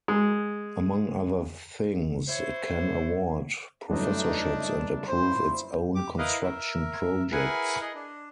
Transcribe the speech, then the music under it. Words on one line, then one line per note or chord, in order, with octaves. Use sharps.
Among other things, it can award professorships and approve its own construction projects.
G#3
E4 C5 C#5
G1 F#2 A3 D4 D#4 D#5
A#2 E4 C5
G4 D6
E4 A#4 B4 D#5 F5
A#4 E5
E4 G#4 A#4 B4 F#5 G#5
G#4 D#5
D4